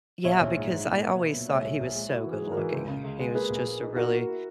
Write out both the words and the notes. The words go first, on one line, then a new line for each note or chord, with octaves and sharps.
Yeah, because I always thought he was so good-looking. He was just a really,
A#1 C#5 E5
A#1
G#2
G#2
A#2
B3
B1
A#2
G#3 C#5 E5
A#1
A#1
G#3
E4 F#4
E3
G#4
G#2
F#4 A#4
E3
C#2
C#3
C#2
G#3
A#3 G#4 B4
A#1
A#3
D#4
B2 F#4 A#4
A#3
E4